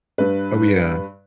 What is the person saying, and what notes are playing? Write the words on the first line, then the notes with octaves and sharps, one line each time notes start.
Oh, yeah.
G2 B4